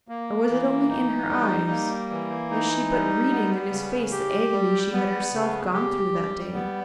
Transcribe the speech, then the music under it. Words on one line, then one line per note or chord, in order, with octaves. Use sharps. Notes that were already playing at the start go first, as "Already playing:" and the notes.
Or was it only in her eyes--was she but reading in his face the agony she had herself gone through that day?
A#3
E3
D#4
G3
A#3
E3
D#4
G3
B3
C#3
G4
G3
B3
C#3
G4
G3
B3